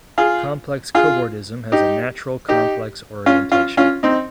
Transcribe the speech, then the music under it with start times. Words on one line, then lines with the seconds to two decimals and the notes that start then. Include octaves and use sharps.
Complex cobordism has a natural complex orientation.
0.18 F4 G#4
0.95 F4 G#4
1.72 D#4 G4
2.48 D#4 G4
3.26 C#4 F4
3.52 C#4 F4
3.77 C#4 F4
4.03 C4 D#4